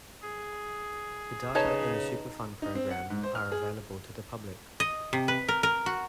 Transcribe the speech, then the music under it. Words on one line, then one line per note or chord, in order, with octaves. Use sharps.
The data in the Superfund Program are available to the public.
G#4
C#3 D#4 B4 C#5 A5
D#4
C4
F#5
G#2
C5
F6
G#4
D#5
C3
B4
A#4
A#4
F#4